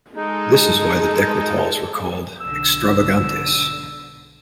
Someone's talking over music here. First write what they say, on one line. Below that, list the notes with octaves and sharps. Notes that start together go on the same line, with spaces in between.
This is why these Decretals were called "Extravagantes".
G#3 D#4 A4
B1 D3 E6